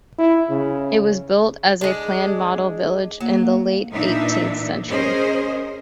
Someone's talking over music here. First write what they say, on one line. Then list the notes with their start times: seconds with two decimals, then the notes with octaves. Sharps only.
It was built as a planned model village in the late eighteenth century.
0.18 E4
0.50 C#3
1.81 G#3 D4
3.21 F#3 A#3
3.92 A#2 E3 D4 D#4 E5
4.88 C#4 G#4 A#4 C5 D#5